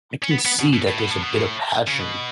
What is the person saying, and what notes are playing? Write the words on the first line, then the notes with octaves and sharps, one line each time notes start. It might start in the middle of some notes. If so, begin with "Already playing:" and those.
I can see that there's a bit of passion
C#4
B3
B3
B2
B2
A2
B2
A2
B2
A2
C#3
B2